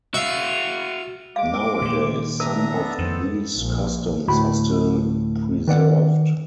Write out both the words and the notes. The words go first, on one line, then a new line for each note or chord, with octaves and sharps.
Nowadays, some of these customs are still preserved.
F#4 E5 F5
G#3 F5 D6
A#2 D#3
D4 A#4 E5 A#5
B3 A4
F2 D#3 C4
A#1
D2 A2 F#4 B5
D#3 B4 D5 F#5